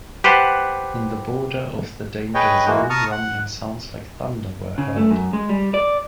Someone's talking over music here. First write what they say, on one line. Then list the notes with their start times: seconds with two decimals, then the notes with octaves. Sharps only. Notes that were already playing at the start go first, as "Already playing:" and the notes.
In the border of the danger zone, rumbling sounds like thunder were heard.
0.24 G4 B4 C5 F#5 A5
2.34 G#4 B4 C#5 D#5 G5
2.67 E3 G#3 A#3 F#4
2.90 A5 A#5 C#6 D#6 F6
3.11 F#5
4.78 C#3
4.96 A3
5.11 F#2
5.33 G#3
5.49 G3
5.74 D5